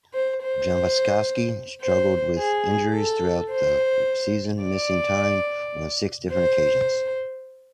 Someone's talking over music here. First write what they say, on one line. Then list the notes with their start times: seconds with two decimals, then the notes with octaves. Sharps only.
Jovanovski struggled with injuries throughout the season, missing time on six different occasions.
0.14 C5
0.43 C5
1.83 C5
2.39 G#4
2.95 A4
3.51 C5
4.64 D5
6.33 C5